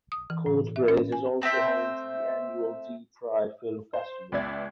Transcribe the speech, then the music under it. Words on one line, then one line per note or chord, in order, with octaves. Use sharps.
Coatbridge is also home to the annual Deep Fried Film Festival.
D#6
E3
A2
E5
C#4
G#5
A3 C4 C5 E5
C5
C#2 B3 D5 E5 G#6